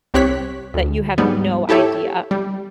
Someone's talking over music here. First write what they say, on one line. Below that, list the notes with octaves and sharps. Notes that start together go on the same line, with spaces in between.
that you have no idea
C2 C4 G4 C#5 F#6 B6
D2
G#2 G3 B3
E4 G4 A4 C#5 E5
G3